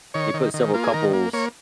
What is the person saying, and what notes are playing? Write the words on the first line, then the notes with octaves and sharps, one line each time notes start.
they put several couples
D#3 C#5
D#3
D#3
A#3 F4
G#4
D#3 A#4
A#3
A#3 C#5